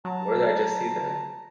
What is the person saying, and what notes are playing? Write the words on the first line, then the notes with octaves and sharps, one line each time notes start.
What did I just see then?
F#3 A5 A#5